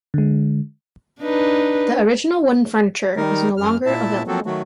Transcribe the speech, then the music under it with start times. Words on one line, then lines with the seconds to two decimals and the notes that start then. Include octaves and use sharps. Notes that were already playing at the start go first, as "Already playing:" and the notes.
The original wooden furniture is no longer available.
0.14 D3 G#3
1.21 D4 D#4 B4
3.17 D#3 G3 D#4 A#4
3.57 F#2 F6
3.86 A#2 E4 E5 A5
4.27 F3 F#3 A#3 C4 F#4 A4
4.46 D#3 F#3 A3 F#4